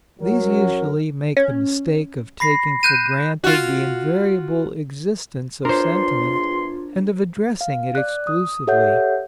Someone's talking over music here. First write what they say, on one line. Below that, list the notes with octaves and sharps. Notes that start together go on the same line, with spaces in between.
These usually make the mistake of taking for granted the invariable existence of sentiment, and of addressing it exclusively.
F#2 F#3 A#4
C#4
B5 A#6 C7
F#6 G6 D#7 E7
F4 F#4
E2 D4 F4 A#4 C5 C#5 C6
F5
D5 F#6
D#6
G4 A4 C#5 E5 F#5 G6